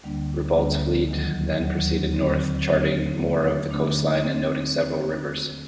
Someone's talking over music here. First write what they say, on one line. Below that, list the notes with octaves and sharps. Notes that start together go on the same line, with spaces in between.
Ribault's fleet then proceeded north, charting more of the coastline and noting several rivers.
D2 D3 G3 A#3 D4
D2 D3 G3 A#3 D4
D#2 D#3 F#3
D#2 D#3 F#3
D3 F#3 C4
D3 F#3 C4
D3 A3 D4
D3 A3 D4
C4